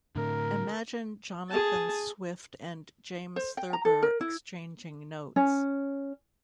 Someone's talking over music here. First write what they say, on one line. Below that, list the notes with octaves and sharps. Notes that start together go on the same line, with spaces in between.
Imagine Jonathan Swift and James Thurber exchanging notes.
A2 D3 A#4
G#4 A5
C5
G5
A#5
A4
A#4
E4
C#4